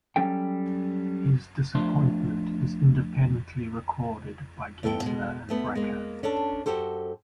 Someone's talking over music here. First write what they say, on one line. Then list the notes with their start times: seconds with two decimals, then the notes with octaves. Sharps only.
His disappointment is independently recorded by Giesler and Breker.
0.16 F#3 G3 C#4 A4 G5
1.75 F3 A3 D4 C6
4.83 E2 G2 A4 A#4 G5
5.02 B2 G#3
5.49 D2 A3 B3
5.75 G#3 A#3
6.23 C#4 D4 A4 A5
6.66 F#2 F#4 G4 A4 C5